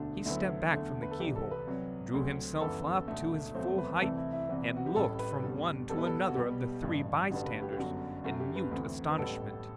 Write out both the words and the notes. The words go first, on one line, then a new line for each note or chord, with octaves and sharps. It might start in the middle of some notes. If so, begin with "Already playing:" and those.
He stepped back from the keyhole; drew himself up to his full height; and looked from one to another of the three bystanders, in mute astonishment.
Already playing: E1 D2 D3 A3 D4
D2 D3 F#3 B3 E4
E2 D3 A3
B4
A4
C2 C3 E3 G4
A4
B4
C2 C3 F#3
D2 C3 F#3
G1 F#2 E3 B3 A4
E1 D2 D3 A3
E2 C3 F#3 A3 C5
B4
B4
C2 C3 E3 A3 A4
E4
E4
C2 C3 E3 B3
F#4
G4
A1 A2 G3 A4
B4
E2 D3 G3
B1 B2 G3 B3 A4
B4
A4
F#4
B1 B2 G3 B3 G4
A1 G2 E3
A1 G2 D3 G3 B3 F#4
B4
G4
G4
G1 F#2 D3 F#3 F#4
F#2 F#3 A3 F#4
G4
B4
D2 C3 E3 B3
B4
A1 A2 G3 B3 A4